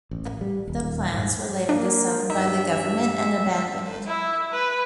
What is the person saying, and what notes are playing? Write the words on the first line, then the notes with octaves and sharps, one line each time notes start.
The plans were later disowned by the Government and abandoned.
A1
G3
D#1
G#2
A#3 D4
G2 D#4 E5
E4
B4